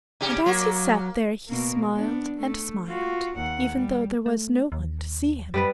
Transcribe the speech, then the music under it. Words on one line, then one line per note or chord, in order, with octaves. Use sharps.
And as he sat there he smiled and smiled, even though there was no one to see him.
C3 G4
F#3 A#3
B2 A#3
B3 D4
A3
F4 F#4
D#2 F#5
G3
A3
D#2
F#2 G3 B3 B4